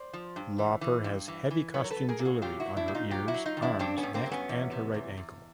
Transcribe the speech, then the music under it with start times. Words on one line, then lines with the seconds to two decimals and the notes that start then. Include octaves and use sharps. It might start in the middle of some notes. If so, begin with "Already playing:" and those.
Lauper has heavy costume jewelry on her ears, arms, neck and her right ankle.
Already playing: C5 D5
0.13 F3
0.36 G2
0.58 E3
0.81 E3
1.04 G2
1.28 E3
1.51 E3
1.74 F#3 B4 C#5
1.84 A#4
1.90 A4 B4
1.96 F#3
2.08 G#4 A#4
2.19 A#2
2.25 F#4 G#4
2.42 F#3 F4 G4
2.60 E4 F#4
2.66 F#3
2.77 D4 E4
2.88 A#2
2.94 D#4 F4
3.11 F#3 F4 G4
3.28 E4 F#4
3.34 F#3
3.46 D#4 F4
3.57 D#3
3.62 D4 E4
3.79 G2 C4 D4
3.98 B3 C#4
4.03 G2
4.14 A#3 C4
4.26 F#3
4.32 B3 C#4
4.49 E2
4.71 C3
4.94 E2
5.17 E2